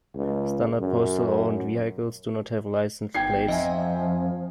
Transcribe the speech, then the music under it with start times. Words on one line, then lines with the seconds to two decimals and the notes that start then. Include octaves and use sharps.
Standard postal-owned vehicles do not have license plates.
0.15 C#2
0.80 F#2
3.14 G#1 B3 G5 G#6 C7
3.48 F2 F3 D#5 E5 G#5